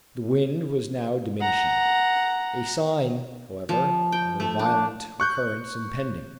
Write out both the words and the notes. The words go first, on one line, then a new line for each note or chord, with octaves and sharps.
The wind was now diminishing--a sign, however, of a violent recurrence impending.
F#5 A#5
F3
G5
A3
D4
C#6 F#6 G6